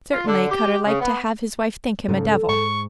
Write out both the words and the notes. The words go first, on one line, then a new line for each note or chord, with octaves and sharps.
Certainly Cutter liked to have his wife think him a devil.
F4
D3
G4
C#3
B3
G#2 C#3 A4
G#2 C#6